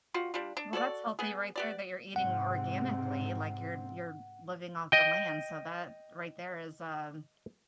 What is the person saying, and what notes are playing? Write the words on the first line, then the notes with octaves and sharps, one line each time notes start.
Well, that's healthy right there that you're eating organically, like, you're you're living off the land, so, that right there is, um,
G3 F4 F#4
G3 D4 F4
D4
F#4 A4 C#5 D5
B3 G#4
B3 G4 D5
G#2 C3 C4 F#5
D#5 G5